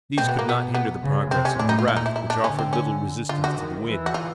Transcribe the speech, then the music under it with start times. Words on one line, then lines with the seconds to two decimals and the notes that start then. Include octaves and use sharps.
These could not hinder the progress of the raft, which offered little resistance to the wind.
0.18 B2 C4
0.29 B3
0.39 A#3
0.49 B3
0.74 B3
1.03 C#3
1.31 C3 C4
1.45 C#4
1.59 A2 D4
1.69 D#4
1.79 F4
1.88 A#2 E4
1.96 D#4
2.06 E4
2.16 E4
2.30 D4
2.44 D3 C#4
2.59 C4
2.73 C#4
3.29 D3 F4
3.44 F#4
3.57 D#3
3.86 E3
4.06 F#4
4.14 F4